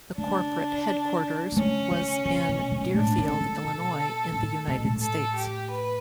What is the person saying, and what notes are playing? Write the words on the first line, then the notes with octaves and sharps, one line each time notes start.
The corporate headquarters was in Deerfield, Illinois in the United States.
C#3 D4
D3
C#3 C#4
C#3
C#3
B2
B2
A2 D4
C#3
A4
D3
B2
A2
B2
A2
A4
G4
B4